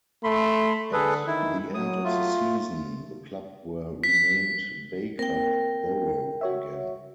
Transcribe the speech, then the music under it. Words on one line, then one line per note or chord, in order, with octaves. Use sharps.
At the end of the season the club were renamed Bacup Borough again.
A3 B5 C6
D3 G#4 A4 B4
D#3 E4
F#3 D#6
A3 F4
B6
A#3 C4 A#4 G5
F#4 C#5 E5